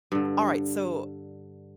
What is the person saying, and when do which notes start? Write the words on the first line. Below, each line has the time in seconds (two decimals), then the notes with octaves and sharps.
Alright, so,
0.12 G2 D3